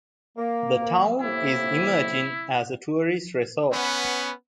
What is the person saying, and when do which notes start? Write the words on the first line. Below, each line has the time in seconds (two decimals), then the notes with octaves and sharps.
The town is emerging as a tourist resort.
0.37 A#3
1.21 A2 C3 A#3 E4
3.72 B3 C#4 B4 F#5